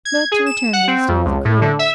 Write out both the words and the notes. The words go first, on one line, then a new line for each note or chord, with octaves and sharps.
But to return to the state of the crew.
G#6
G#4
E7
F#5
C4
F2
C#2
A2
D3
E5